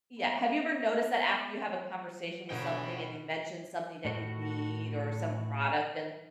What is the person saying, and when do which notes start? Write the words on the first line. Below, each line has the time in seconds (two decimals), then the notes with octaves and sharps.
yeah, have you ever noticed that after you have a conversation with something and you mention something that you need or some product and
0.17 B3 E5
2.50 B2 D3 F#3 C#5 F#5 G5 B5
4.05 A2 F#4